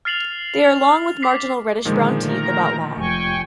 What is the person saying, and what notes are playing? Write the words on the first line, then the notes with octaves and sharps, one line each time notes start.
They are long with marginal reddish brown teeth about long.
F6 A6 C7 F7 F#7
D6 B6 C7
A#2 D3 D#3 F3 G#3
A3 A#4 A#5
F1 G5 G#5 C#6